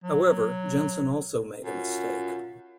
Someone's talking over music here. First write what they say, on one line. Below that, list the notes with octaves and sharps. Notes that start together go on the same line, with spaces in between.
However, Jensen also made a mistake.
F#3
F#2 F4